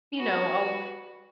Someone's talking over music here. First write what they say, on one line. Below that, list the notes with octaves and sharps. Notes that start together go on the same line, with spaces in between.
you know, I'll
F#4 B4